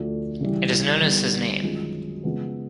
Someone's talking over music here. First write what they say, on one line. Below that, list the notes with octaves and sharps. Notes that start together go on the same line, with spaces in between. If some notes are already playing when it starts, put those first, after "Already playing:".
It is known as his name.
Already playing: D2 D3 F3 A3 D4
C#3 E3 G3
D3 G3 B3 D#4
F#2 D#3 G#3 C#4 F4
C#3 F3 G#3 B3